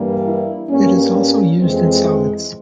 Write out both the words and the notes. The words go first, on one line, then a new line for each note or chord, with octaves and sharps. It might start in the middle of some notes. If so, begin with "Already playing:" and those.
It is also used in salads.
Already playing: G2 E3 G3 A#3
E4
G2 G3 A#3 C#4
C#4
F2 E3 G#3 C4